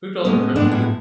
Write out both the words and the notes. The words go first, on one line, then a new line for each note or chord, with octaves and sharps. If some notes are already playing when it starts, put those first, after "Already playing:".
Cooked all of her friend's food.
A2 G#3 B3 C#4
A2 G#3 B3 D4
E4